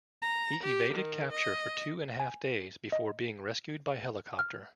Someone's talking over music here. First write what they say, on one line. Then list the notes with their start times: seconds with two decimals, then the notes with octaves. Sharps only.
He evaded capture for two and a half days before being rescued by helicopter.
0.22 A#5
0.63 G4
0.94 D#3
1.32 D#5
2.20 G#5
2.92 D#5
4.39 F6